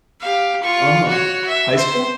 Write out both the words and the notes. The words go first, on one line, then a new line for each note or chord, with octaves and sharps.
Uh-huh. High school?
G4 F5
F4 C#6
F#4 C#5
E5
C5